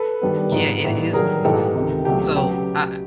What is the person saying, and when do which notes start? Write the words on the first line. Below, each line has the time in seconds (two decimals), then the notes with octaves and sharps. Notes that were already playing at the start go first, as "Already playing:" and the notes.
Yeah, it is, um So I
Already playing: A4 B4
0.22 G2 D#3 G3 B3
0.52 G#2 F3 G#3 B3
0.83 A2 E3 G3 B3
1.13 G2 D#3 F#3 G#4 A#4
1.44 G#2 E3 G#3 B3 G4 A4
1.75 C#2 C3 D#3
2.05 C#2 B2 F#3 A3 G4
2.36 C#3 F#3 B3 G4